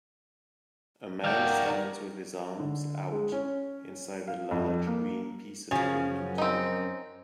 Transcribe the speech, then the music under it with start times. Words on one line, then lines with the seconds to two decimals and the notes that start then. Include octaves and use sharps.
A man stands with his arms out inside a large green piece of equipment.
1.24 D#3 F#4 A#4 D5 F5 G5
2.59 D3
3.12 G#3
3.32 C#4
4.27 F5
4.51 F2
4.87 A#3
5.71 F#2 C#3 F3 G#5
6.38 C4 D#4